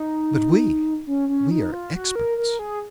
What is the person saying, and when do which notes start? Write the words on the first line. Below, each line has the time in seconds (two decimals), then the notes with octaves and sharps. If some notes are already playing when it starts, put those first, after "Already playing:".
But we! we are experts.
Already playing: D#4
1.07 C#4
1.29 C#4
1.51 D#4
1.72 F4
1.95 F#4
2.15 A#4
2.38 A#4
2.59 G#4